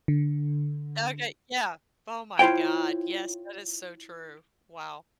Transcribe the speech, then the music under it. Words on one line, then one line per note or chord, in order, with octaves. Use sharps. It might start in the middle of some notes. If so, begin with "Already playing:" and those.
Okay. Yeah. Oh my god. Yes, that is so true. Wow.
D3
E4 F4 C5 C#5 G5